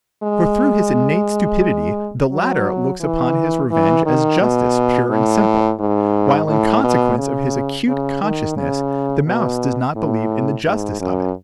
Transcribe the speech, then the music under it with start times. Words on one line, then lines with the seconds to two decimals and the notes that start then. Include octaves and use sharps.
For through his innate stupidity the latter looks upon his revenge as justice pure and simple; while in consequence of his acute consciousness the mouse does not believe in the justice of it.
0.23 G#3
2.31 F#3
3.01 E3
3.71 E3
4.06 D#3
4.41 B2
5.10 A2
5.80 G#2
6.49 A2
6.84 B2
7.18 C#3
7.88 C#3
8.22 D#3
8.57 C#3
9.27 B2
9.96 A2
10.66 G#2
11.00 F#2